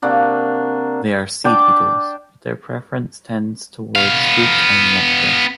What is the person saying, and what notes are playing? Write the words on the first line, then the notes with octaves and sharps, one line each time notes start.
They are seed eaters, but their preference tends towards fruit and nectar.
C3 A#3 D4 F#4
D4 G5 D6
B3 F5